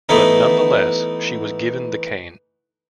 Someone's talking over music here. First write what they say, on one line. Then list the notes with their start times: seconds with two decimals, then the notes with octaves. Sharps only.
But nonetheless, she was given the cane.
0.09 E3 A3 B3 D#4